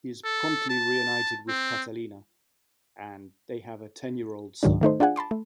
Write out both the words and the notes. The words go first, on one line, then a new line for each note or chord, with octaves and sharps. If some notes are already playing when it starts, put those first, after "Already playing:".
He is promptly reunited with Catalina, and they have a ten-year-old son.
A4
A5
C4
C#2 G#2 D#3 F#3 G#3 D4
D#3 A3 D#4 C5
D4 F4 G#4 F#5 G#5
A5 B5 C6 D6
A3